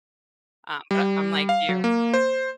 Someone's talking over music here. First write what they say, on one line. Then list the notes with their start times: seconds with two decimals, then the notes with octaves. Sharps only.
Um, but a I'm like you
0.91 G3
1.49 F5
1.69 F#3
1.84 A#3
2.14 C5